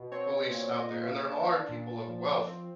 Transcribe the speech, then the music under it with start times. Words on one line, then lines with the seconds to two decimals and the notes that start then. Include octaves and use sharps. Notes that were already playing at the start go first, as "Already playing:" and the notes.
police out there, and there are people of wealth
Already playing: B2
0.12 C4 C#5
0.51 A#2 C#5
0.77 D#5
0.90 A#3
1.03 E5
1.29 D4 A5
1.69 A#2
2.08 F3
2.47 C4